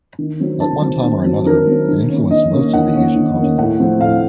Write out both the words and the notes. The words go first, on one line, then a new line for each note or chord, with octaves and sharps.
At one time or another, it influenced most of the Asian continent.
D#3
F#3 C4
D#3 A5
F#3 C4
D#3
F#3 C4
D#3 A#4
F#3 C4
D#3
A#3 C#4
D#3 D#5
A#3 C#4
D#3 F#5
A#3 C#4
D#3
A#3 C#4
A2 F#5
F3 A3 C4
A2 F5